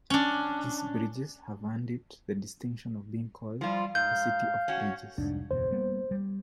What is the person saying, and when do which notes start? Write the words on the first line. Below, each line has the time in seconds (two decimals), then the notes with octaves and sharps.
These bridges have earned it the distinction of being called the "City of Bridges".
0.10 C#4 D4
3.61 F3 G3 F4
3.95 G#2 F5 G6
4.68 C#4 F#4
5.18 C2 F2 G#2 D4
5.51 F#1 E2 B2 C5
5.71 G3 A#3 B3
6.11 G3